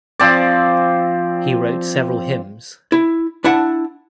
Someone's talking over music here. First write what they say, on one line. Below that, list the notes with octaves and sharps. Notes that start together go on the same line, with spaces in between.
He wrote several hymns.
F3 C4 D5
E4
D4 E4 F#5 A5